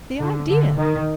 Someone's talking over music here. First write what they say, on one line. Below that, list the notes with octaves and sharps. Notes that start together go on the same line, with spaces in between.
The idea!
D3
D3
D#3